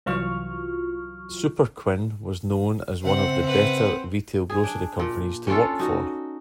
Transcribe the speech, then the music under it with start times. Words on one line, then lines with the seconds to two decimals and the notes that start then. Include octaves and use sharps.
Superquinn was known as one of the better retail grocery companies to work for.
0.06 C2 E3 F#3 F4 C#6 F6
3.05 C#3 C4 E5 F#5
3.45 B4 F#5
4.50 G#4
4.64 D4
4.99 A#2
5.47 C#4 D4 F4 A4
5.79 D#4 F#4